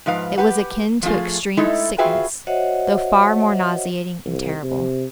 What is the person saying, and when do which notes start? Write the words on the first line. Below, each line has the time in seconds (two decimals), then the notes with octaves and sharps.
It was akin to extreme sickness, though far more nauseating and terrible.
0.06 G#2 F3 B4 F5
0.38 G4 B4 F#5
1.03 F3 A3 D#4 F4 G#4
1.57 G#3 A3 D#4 E4 A4
1.98 F4 F#4 G#4 B4 E5 G5
2.47 F#4 C5 C#5 D#5 E5 F#5
4.25 C2
4.63 C3